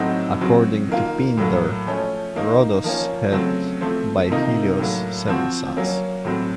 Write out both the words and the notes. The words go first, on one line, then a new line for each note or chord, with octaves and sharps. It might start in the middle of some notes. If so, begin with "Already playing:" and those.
According to Pindar, Rhodos had, by Helios, seven sons.
Already playing: A2 F#3 C4 D#4 F#4
C#3 F#3 C4 F#4
D#3 A#3 F4
A2 F#3 A#3
F3 A3 C#4
D#3 A#3 D#4
F3 A#3 C#4
C#3 F#3 A3 C4
F3 A3 C4
C3 D#3 A#3 D#4
A2 F#3 A#3
F3 C4 F#4
F#3 A#3 C#4
A2 F#3 C4